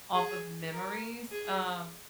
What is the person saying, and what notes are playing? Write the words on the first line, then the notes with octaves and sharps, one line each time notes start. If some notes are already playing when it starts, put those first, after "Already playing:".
off of memories, um,
G#4
A#4
G#4